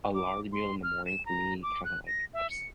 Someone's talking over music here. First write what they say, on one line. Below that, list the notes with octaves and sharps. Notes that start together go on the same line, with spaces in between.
a large meal in the morning for me kinda, like, ups
D6
C6
F6
E7
A#5
D6
F#6
A#6
E5
C#7